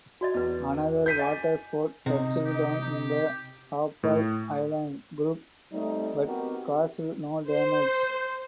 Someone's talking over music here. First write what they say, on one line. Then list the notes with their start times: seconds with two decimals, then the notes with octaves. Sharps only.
Another waterspout touched down in the Ha’apai island group but caused no damage.
0.21 F#4 D5 D#5
0.34 E2 B4 D#5
1.06 G6 B6 D#7
1.19 D#5 G#5 D6
2.06 C3 D#4
2.45 G4
4.03 A2
5.71 G3 A3 C4 D#4
6.25 B3 C4 D#4 F#4 G4 A#4
7.49 C5